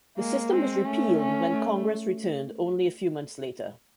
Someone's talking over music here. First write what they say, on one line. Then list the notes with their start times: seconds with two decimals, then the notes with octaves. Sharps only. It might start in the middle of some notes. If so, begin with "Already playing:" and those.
The system was repealed when Congress returned only a few months later.
0.18 G#3 A#3
0.52 G#3 C4
0.85 A3 C#4
1.18 C#4
1.52 A3